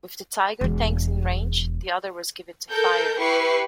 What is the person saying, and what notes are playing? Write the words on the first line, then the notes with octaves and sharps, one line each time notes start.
With the Tiger tanks in range, the order was given to fire.
E1 E2
A4 A#4 G6
E4 G4 B4 C#6 C7